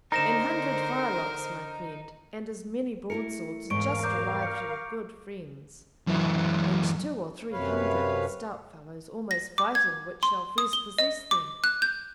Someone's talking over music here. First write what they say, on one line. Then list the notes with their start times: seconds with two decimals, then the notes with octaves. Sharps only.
An hundred firelocks, my friend, and as many broadswords, just arrived from good friends; and two or three hundred stout fellows almost fighting which shall first possess them.
0.12 D3 D#4 A#4 C5 A#5 A#6 E7
3.10 A3 E4 A#4 C#7
3.70 E2 G#2 A#4 F5 C#6 D7
4.04 A#5 D6 G6
4.42 G6 C#7
6.07 F#2 E3
7.52 F#2 C3 B4 C#5 F5
9.31 A#6
9.58 D6
9.75 G#6
10.23 C6
10.58 D#6
10.73 G7
10.98 D#5
11.31 D6
11.64 F#6
11.82 G6